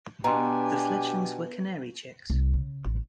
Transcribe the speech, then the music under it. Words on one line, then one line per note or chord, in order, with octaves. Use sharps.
The fledglings were canary chicks.
B2 D4 G4 G#5 A#5 C6
C2
C#3
A1